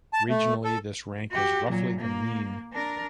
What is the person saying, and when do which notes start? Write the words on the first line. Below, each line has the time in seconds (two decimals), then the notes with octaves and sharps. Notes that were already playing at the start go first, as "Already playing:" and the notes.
Regionally, this rank was roughly the mean.
0.13 A5
0.29 A3
0.64 A4
1.31 F#4 G4
1.69 A#2 F#3
2.01 A#3
2.73 D4 A#4